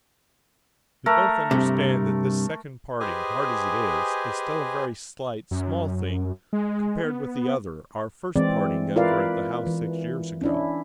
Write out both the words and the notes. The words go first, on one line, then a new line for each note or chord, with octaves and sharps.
We both understand that this second parting, hard as it is, is still a very slight, small thing compared with the other, our first parting over at the house six years ago.
A3 A#4
G2 C3
G4 G#4 B4 C5 D#5 G#5
F#2
G#3
B3
E3 G#3 C4 D5
E4 F4 A#4 B4 D5 F5
E3
C#4 D4 E4